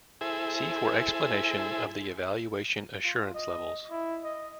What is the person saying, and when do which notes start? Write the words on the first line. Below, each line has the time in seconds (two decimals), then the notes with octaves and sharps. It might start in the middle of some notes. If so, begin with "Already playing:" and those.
See for explanation of The Evaluation Assurance Levels.
0.21 E4 G#4 A4 C5 E5 G#5
3.04 F4
3.34 D#5
3.90 E4
4.24 D#5